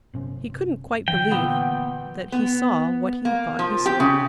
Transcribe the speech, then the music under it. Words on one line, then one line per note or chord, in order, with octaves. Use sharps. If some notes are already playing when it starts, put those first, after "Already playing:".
He couldn't quite believe that he saw what he thought he saw.
G1 C3 C#4
D3 E3 G5
A#2 B3
B3
A#3
F3
G4
C#3